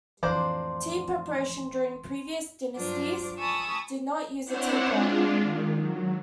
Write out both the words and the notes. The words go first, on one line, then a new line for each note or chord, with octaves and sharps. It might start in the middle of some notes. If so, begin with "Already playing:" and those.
Tea preparation during previous dynasties did not use a teapot.
F2 A2 E3 A#3 D4 C5 C6
G2 F#3 D4 F4 C5 D6
G#5 A5 B5 C#6 D#6 E6
C4 D4 E4 C5 C#5 F#5
G#3 D4 F4
D#3
F#3